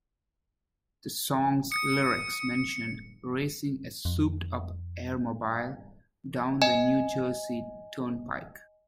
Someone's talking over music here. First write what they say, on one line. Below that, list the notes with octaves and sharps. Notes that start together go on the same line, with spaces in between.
The song's lyrics mention racing a souped-up "air-mobile" down the New Jersey Turnpike.
D#6 C#7
F2
D#5 G#5